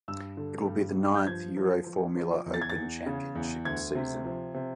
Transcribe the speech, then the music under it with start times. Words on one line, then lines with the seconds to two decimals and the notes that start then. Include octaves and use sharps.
It will be the ninth Euroformula Open Championship season.
0.08 G2 E6
0.37 D3
0.67 G2
0.98 G2
1.15 G6
1.27 F3 G#6
1.56 F3
1.86 F3
2.16 F3
2.46 E2
2.54 A6
2.61 G#6
2.70 A6
2.76 E2
3.06 C#3
3.35 E2
3.65 D2 G#6
3.95 C3
4.24 F3
4.54 C3